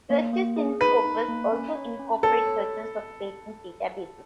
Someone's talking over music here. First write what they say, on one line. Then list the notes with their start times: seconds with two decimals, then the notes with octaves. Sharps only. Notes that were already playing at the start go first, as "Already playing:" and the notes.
Searches in Scopus also incorporate searches of patent databases.
0.10 A#3
0.33 A#3
0.56 G#4
0.81 D#4 B4
1.04 D#4
1.28 A#3
1.52 C#4
1.75 C#5
1.99 C#4
2.23 A4 C#5
2.47 C#5